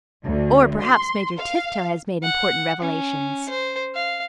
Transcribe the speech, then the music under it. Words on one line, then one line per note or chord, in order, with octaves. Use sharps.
"Or perhaps Major Tifto has made important revelations."
D2
C6
F5
F#5
C#4
C5
F5